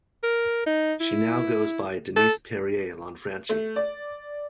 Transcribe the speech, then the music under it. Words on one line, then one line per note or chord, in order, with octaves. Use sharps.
She now goes by Denise Perrier Lanfranchi.
A#4
D#4
E4
A4
A3
D5